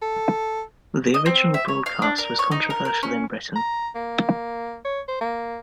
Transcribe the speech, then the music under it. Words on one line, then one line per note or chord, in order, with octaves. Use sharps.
The original broadcast was controversial in Britain.
A4
D#5
C4
E5
C#5
F5
D4
A#4
C#5
D#4
A#4
A#4
C#4
A#5
A#3
C#5
C5
A#3